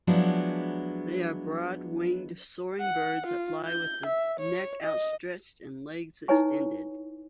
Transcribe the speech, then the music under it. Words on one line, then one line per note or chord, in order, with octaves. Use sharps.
They are broad-winged soaring birds that fly with the neck outstretched and legs extended.
F3 F#3 G#3 B3 D4 E4
F#5
F4
G6
E5
C#5
D#5
D#4 E4 B4 C#5 G#5 C#6